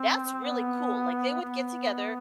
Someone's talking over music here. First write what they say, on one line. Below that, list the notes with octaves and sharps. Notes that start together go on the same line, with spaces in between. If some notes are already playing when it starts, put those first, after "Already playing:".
"That's really cool," like, they would get together,
Already playing: C4
B3
B3